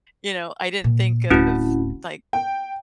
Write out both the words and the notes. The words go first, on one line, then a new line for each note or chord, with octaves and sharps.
you know, I didn't think of, like,
A#2
D1 C4 C#4 E4 F#4
G5